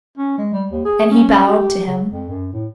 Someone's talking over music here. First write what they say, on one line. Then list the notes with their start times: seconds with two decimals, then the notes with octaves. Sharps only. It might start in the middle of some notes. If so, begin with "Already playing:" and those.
And he bowed to him.
0.18 C#4
0.38 G#3
0.53 G3
0.71 D#2
0.85 G#4
1.11 C#4
1.28 C#4
1.48 G4
1.87 C#3
2.08 F2
2.30 F#2
2.53 A2